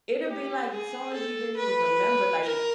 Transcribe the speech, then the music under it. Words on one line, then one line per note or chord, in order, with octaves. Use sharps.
It'll be like songs you didn't even remember, like
G4
G#4
A4
B4
A#4